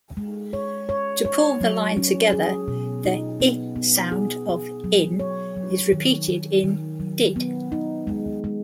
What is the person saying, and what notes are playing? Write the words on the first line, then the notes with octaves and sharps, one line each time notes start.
To pull the line together, the "i" sound of "In" is repeated in "did".
G#3
C#5
C#5
C#5
F#3
C#4
G#4
B2
D#4
B3
B3
G#4
G#4
F#3
C#5
F#3
D#3
D#3
D#3
F#3
B3
D#4
G#3
G#3